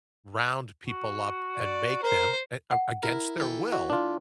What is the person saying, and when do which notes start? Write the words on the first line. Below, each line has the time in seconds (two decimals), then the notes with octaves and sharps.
round people up and make them, a a against their will
0.88 F#4
1.56 D5
2.03 A#4 C5
2.71 F#5
3.03 E4 A#4
3.38 E3 A4 G5
3.72 F#4
3.90 D4 F4